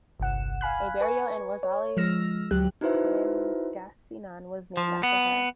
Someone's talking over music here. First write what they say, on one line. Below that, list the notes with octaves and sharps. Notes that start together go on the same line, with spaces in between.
A barrio in Rosales, Pangasinan was named after her.
G1 C2 F#5 E7
F5 G#5 B5 F#6
B4 G#5 C#6
C#5
F3 G#3 E6 F6 A#6
D2 F#3 G4 F#6
D#4 E4 F#4 B4 C5 E5
F3
B3